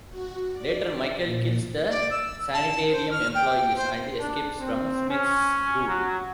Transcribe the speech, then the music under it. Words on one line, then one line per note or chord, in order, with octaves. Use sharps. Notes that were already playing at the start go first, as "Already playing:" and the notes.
Later, Michael kills the sanitarium employees and escapes from Smith's Grove.
F#4
D5
A#2
D5
E6
A5
C5
F6
G5
C5
D4
C4
C#4
F#3